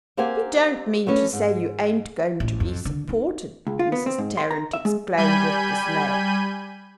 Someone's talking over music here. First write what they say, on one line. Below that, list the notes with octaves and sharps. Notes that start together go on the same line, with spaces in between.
"You don't mean to say you ain't going to be supported?" Mrs. Tarrant exclaimed, with dismay.
A#3 C4 G4 A#4 F#5 G#5
A3 B3 C#4 D4 F#4
G#2
A1
F2
D3
D#4
C#2
F4
B3
C4
G#2
C6
A#5
E5
G#3
G3 G#5 B5 G6 D#7